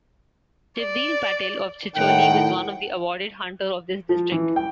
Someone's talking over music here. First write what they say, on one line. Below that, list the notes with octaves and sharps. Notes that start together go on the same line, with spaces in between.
Shivdeen Patel of Chicholi Was one of the awarded Hunter of this district.
D5
A2 D#3 F#5 G5
F3
E3
G5